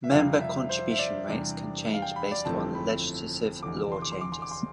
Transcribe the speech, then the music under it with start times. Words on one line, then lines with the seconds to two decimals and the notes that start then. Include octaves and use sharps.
Member contribution rates can change based on legislative law changes.
0.04 E5
0.11 F2 C3 G3 F5
0.40 E5
0.69 C5
0.91 E5
0.99 D5
1.29 E2 C3 G3 D4
1.94 F5
2.02 G5
2.16 B5
2.32 D5
2.45 G1 F2 E3 A3 C4 A5
2.75 B5
3.63 F1 E2 D3 D6
3.92 C6
4.02 D6
4.12 C6
4.21 D6
4.32 C6
4.42 D6
4.51 C6